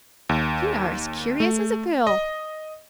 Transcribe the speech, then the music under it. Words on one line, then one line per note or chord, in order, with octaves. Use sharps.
'You are as curious as a girl.
D#2
A3
D#5